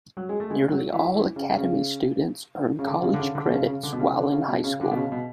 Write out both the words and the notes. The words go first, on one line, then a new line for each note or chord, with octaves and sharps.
Nearly all Academy students earn college credits while in high school.
F#3
G#3
A3
G#3
F#3
E3
E3
C#3
C#3
C#3
D3
C#3
D3
C#3
D3
B2
C#3
C#3
D3
B2
C#3
D3
C#3
B2
C#3
D3
B2
C#3
B2